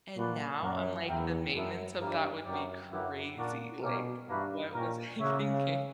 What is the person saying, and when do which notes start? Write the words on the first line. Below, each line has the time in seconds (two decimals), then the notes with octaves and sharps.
and now I'm like, "The maintenance of that would be crazy," like, what was I thinking?
0.16 A#2 D4 F#4 B4 D5
0.62 F#2 D4 F#4 A#4 D5 F#5
1.07 E2 E4 A#4 E5 G5
1.53 F#2 B3 D4 A#4 E5 G5
1.99 G2 G3 A#3 E4 A#4
2.45 F#2 B3 F#4 A#4 D5 G5
2.91 F#2 A#3 E4 G4 B4 F#5
3.37 A#2 D4 F#4 A#4 D5 F#5
3.82 B2 A#3 C#4 G4 A#4 D5
4.28 G2 A#3 D4 F#4 B4 E5
4.74 A#2 C#4 G4 A#4
5.20 C#3 A#3 C#4 F#4 C#5 E5